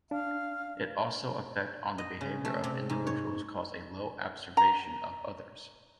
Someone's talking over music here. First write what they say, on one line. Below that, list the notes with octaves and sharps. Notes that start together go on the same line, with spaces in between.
It also affect on the behavior of individuals cause a low abservation of others.
D4 F5
D#5
C#3
A3
C3
G#2
C#5
A#5